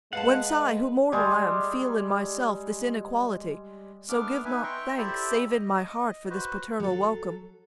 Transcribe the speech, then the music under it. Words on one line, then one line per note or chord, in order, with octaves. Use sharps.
Whence I, who mortal am, feel in myself This inequality; so give not thanks, Save in my heart, for this paternal welcome.
G#3 B4 F5 F#5 A5
G3 G#3
A3 B3 D4 D6 F6
B3 D#4 B4 E5 G#5
E5 G5 A#5 C6 C#6
E4 G4 A4 C5 D5 E5
D#5
F#4 B4 C5
F#3 A4